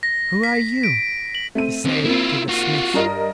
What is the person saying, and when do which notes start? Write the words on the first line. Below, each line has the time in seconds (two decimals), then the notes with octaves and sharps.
'Who are you?' he said to the Smith.
0.03 A#6
0.43 B6
0.83 D7
1.35 F#7
1.55 A3 C4 D#7
1.85 D#2 A#3 C4
2.05 A#3 C4 E4 F4
2.49 F4 F#4
2.94 G2 A#4 D#5